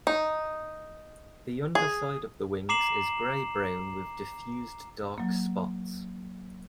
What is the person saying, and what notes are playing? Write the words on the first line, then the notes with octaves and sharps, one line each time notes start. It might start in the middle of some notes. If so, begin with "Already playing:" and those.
The underside of the wings is grey brown with diffused dark spots.
D#4
G#4
A#5 D6 C7 E7 F#7
F#3 A#3